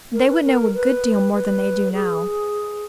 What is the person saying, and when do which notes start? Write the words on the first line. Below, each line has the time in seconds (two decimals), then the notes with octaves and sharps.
They would know a good deal more than they do now.
0.13 A#4
0.29 B4
0.44 A#4
0.74 B4
1.34 B4
1.93 G#4